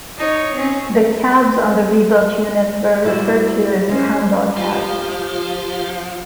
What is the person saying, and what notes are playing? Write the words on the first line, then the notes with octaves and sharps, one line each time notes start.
The cabs on the rebuilt units were referred to as Crandall Cabs.
D#4 C#5
C4 C#4
G3 E4 F#4 C5
G#3 C#4 C5
F3 F4 G4 F5